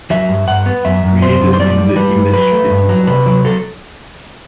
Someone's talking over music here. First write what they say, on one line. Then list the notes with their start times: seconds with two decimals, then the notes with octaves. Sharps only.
Created in the Image Pty.
0.10 F#3 E5
0.29 G2
0.48 G2 F#5
0.66 B3
0.85 F#2 E5
1.03 F#2
1.22 C4 C5
1.40 F#2
1.53 C5
1.59 G3 D5
1.78 G3
1.96 G3 B4
2.15 G2
2.33 F#3 B4
2.52 A3
2.70 G2
2.89 F#3
3.07 C3 B4
3.26 F#3
3.45 F#3 A4